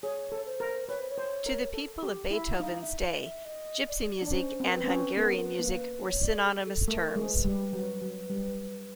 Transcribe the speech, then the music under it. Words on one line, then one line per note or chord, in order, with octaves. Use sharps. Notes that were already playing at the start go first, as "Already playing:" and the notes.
To people of Beethoven's day, "gypsy music" and "Hungarian music" were synonymous terms.
G#4 C#5
A4
C5
A#4
B4 C#5
C5
C#5
C5
A#4
A4
G4
E4
D#4 F5
E5
F5
D#5
E5
D#5
D5
D4
C#4 C5
C4
A#4
B4
C4
C#4
B3 A#4
B4
A#3
B4
C#5
D5
A4
G#4
A4
A3 A#4
G#3
C5
B4
G3
F#3
F#3
G3